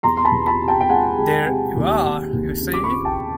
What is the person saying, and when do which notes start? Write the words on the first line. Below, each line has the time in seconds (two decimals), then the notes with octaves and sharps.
There you are, you see!
0.03 E2 A#5 C6
0.17 C6
0.25 A5 B5
0.32 E2
0.46 A5 B5
0.61 C3
0.68 G5 A5
0.80 G5
0.89 G#3 F#5 G#5
1.18 G#3
1.47 C3
1.76 D#2
2.06 D#2
2.33 D#2
2.62 C#3
2.74 D6
2.83 B5 C#6
2.92 C#3
3.05 G5 A5